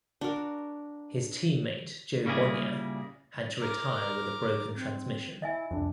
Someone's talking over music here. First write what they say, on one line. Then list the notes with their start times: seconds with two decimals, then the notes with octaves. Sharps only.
His teammate Jo Bonnier had to retire with a broken transmission.
0.21 D4 F#4 A#4
2.25 A#2 C#3 G3 A#3 E4 G#4
3.60 A#4 D6
4.74 C4
5.42 E4 D#5 E5 G#5
5.71 C2 F2 D4